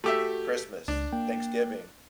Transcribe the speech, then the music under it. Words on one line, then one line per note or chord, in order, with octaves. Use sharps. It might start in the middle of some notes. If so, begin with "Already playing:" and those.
Christmas, Thanksgiving,
A3 F#4 G4 A4 E5
C#2 D4
A#3 G5